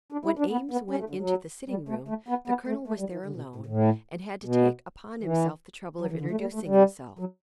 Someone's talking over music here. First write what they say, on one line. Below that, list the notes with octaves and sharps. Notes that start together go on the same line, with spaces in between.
When Eames went into the sitting-room, the colonel was there alone, and had to take upon himself the trouble of introducing himself.
D4
E4
D4
B3
B3
C#4
A3
D3
F#3
G3
A3
A3
B3
B3
A3
A3
G3
E3
D3
B2
A2
A2
B2
E3
F#3
E3
D3
A3
G3
A3
G3
F#3